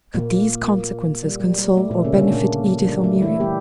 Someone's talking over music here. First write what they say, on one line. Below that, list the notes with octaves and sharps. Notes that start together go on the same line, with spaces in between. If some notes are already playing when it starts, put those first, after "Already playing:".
Could these consequences console or benefit Edith or Miriam?
A#2 A#3
G3
G3
G3
A3
A#2 A#3
C#3 C#4
D3 D4
A#2 A#3
G3
A3
E3 E4
G3 G4